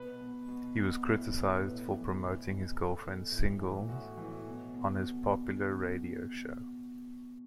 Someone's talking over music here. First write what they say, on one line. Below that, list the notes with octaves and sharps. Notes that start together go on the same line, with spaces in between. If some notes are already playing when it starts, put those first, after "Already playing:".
He was criticised for promoting his girlfriend's single on his popular radio show.
Already playing: B2 B4
B2
B2
B2
A2
A2
A2 B4
E3
B2
B2
B2 A4
B2
A2
E3
A2 F#4
E3
B2
B2
B2